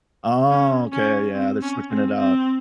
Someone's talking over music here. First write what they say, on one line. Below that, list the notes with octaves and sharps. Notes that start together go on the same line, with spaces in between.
Okay, yeah, they're switching it out.
C#4
C#4
C4
C#4
C4
C4